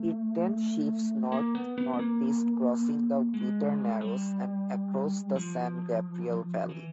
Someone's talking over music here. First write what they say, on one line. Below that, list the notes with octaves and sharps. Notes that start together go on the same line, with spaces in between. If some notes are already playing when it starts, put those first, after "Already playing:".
It then shifts north-northeast, crossing the Whittier Narrows and across the San Gabriel Valley.
Already playing: A3
A#3
B3
B3
B3
A#3
G#3
G3
F3
E3